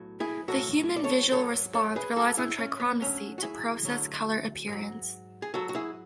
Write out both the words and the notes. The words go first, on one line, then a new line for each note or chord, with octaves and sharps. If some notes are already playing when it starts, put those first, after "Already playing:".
The human visual response relies on trichromacy to process color appearance.
Already playing: B1 A2 F#3
E4 G#4
B1 A2 F#3 F#4 A4
D5
A4 C#5
G#2 F#3 A4 C#5
A4 C#5
G#4 B4
G#2 F#3 F#4 A4
E4 G#4
C#4
B3
D2 D3 F#3 C#4
F#4
E4 G#4
D2 D3 F#3
G#2 F#3
G#4
G#2 F#3 F#4 A4
F#4
E4 G#4